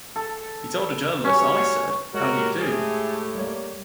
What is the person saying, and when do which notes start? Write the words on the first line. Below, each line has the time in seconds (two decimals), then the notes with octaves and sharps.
He told a journalist, I said, 'How do you do.
0.16 A4
1.25 G3 C#4 F#4 C#5
2.14 G#3 F#4 G4 A#4 C#5
2.59 A2 A3 G#4
3.35 G3 A#3 C#5